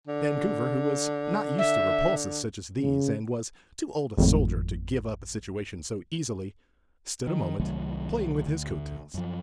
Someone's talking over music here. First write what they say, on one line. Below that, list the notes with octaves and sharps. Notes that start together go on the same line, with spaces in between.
Vancouver, who was not used to repulses such as these, and was too old a soldier to give up a situation so easily, stood a moment playing with his coat tails.
D3
E5
C#3
G#1 F2 A2
D#3
C2 D#3 F#3 A3
D2
F#2 F3